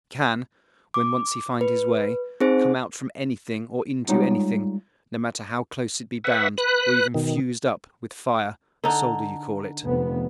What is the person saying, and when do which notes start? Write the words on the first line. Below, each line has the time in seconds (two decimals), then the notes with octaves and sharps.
He can, when once he find his way, come out from anything or into anything, no matter how close it be bound or even fused up with fire--solder you call it.
0.94 D6
1.61 B4
2.40 C4 D#4 G#4 C5
4.08 G3 G#3 D#4 F4 C#5 F#5
6.24 B4 E5 F#5
6.58 B4 F#6
7.14 B2 D#3
8.84 D3 D#4
9.84 F1 B3